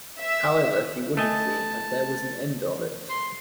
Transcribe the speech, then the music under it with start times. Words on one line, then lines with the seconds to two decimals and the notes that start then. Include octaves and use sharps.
However, he wouldn't be, and there was an end of it.
0.18 E5
1.17 A3 D#5 G#5 A5
3.10 C6